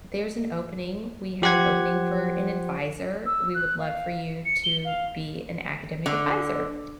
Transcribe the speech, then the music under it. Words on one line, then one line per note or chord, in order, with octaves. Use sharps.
there's an opening, we have an opening for an adviser, we would love for you to be an academic adviser,"
F3 G4 C5 F#5 G#6
E6
F#6
F5
C#7
G7
F5
D3